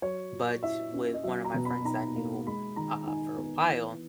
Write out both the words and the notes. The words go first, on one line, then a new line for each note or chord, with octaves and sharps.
but with one of my friends that I knew, uh, for a while,
F#3 C#5
A#2
E4 E5
C#4
D#5
F#3 E5
A#5
B2
B5
D#4 A#5
A#3
G#3 B5
D#3 A#5
D#4 G#5
B3
E3